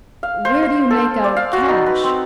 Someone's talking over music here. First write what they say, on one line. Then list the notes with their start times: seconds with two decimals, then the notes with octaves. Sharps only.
"Where do you make out cash?"
0.23 F5
0.45 C5
0.63 C5
0.90 A4
1.24 D5
1.37 F5
1.53 F#4
1.68 D#4
1.86 B4
2.03 C4